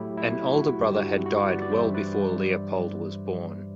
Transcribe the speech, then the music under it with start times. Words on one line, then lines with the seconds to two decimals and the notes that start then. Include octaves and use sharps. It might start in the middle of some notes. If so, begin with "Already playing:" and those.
An older brother had died well before Leopold was born.
Already playing: A2 F#3 A3 E4 G4
0.17 E4
0.48 F#4
0.79 G2 D3 G3
0.86 G4
0.94 F#4
1.02 E4
1.26 F#4
1.48 B4 D5
1.62 D5
1.71 G2 E3 G3 C5 E5
1.94 B4 D5